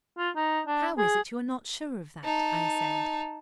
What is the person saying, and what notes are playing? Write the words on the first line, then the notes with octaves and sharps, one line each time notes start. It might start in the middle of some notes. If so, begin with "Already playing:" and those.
"How is it you are not sure of that?" I said.
F4
D#4
D4
G#4
D#4 A5